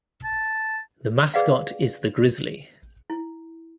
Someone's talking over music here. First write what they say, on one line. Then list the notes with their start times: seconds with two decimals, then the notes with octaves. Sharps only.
The mascot is the Grizzly.
0.24 A5
1.34 G#4 B4 D5 D#5 F5 F#5
3.10 E4